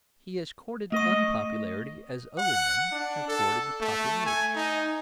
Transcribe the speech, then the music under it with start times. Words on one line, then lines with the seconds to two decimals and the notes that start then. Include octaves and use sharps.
He has courted unpopularity as other men have courted popularity.
0.92 A3 D#5 C#6
2.38 F#5
2.92 D4
3.28 A4
3.81 A3
4.26 G#5
4.56 D#4